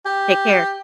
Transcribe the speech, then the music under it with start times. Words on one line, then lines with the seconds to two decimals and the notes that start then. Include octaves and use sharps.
Take care.
0.06 G4